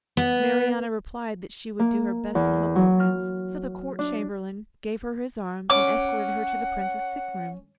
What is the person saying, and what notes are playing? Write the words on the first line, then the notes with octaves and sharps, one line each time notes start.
Marianna replied that she would do her best to help the Prince; so the Court Chamberlain gave her his arm, and escorted her to the Prince's sick room.
B3
A#3
E2
F#3
F6
D4
C#4 F#5 D6